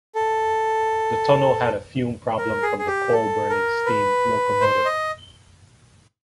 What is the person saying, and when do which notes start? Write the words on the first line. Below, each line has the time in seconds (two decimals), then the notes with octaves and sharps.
The tunnel had a fume problem from the coal-burning steam locomotives.
0.15 A4
2.38 A#4
2.62 G#4
2.79 G#4
2.87 G4
3.12 A4
3.50 A#4
3.86 B4
4.61 C5
4.85 D#5